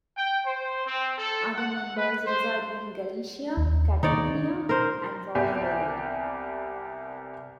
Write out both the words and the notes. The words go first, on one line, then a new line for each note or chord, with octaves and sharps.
Others members resided in Galicia, Catalonia and Valladolid.
G5
C5
C4
A4
F#5
B4
C5
D#2
D#3 A#3 D4 D#4 C#5 D5
C#4
A#4 C5
C2 B3 G4 D5 G#5